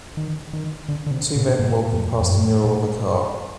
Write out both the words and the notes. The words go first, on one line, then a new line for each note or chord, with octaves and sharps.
Two men walking past a mural of a car.
D#3
D#3
D3
D3
C3
A#2
G#2
F2
F2
G2
A#2